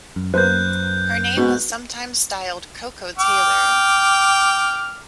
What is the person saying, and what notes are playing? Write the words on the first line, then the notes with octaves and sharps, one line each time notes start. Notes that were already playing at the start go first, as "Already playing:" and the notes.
Her name was sometimes styled KoKo Taylor.
F#2
F#2 A#3 B4 C5 F#6 G6
G#2 B2
G5 D6 F6